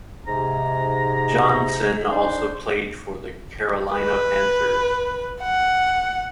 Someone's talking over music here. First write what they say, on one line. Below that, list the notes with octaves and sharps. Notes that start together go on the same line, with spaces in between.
Johnson also played for the Carolina Panthers.
G#2 C3 A#5
D4 D#4 C5
B4
F#5